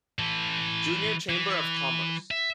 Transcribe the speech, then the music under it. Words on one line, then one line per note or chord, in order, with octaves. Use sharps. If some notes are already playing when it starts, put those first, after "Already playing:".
Junior Chamber of Commerce.
E3 A4
E3
E5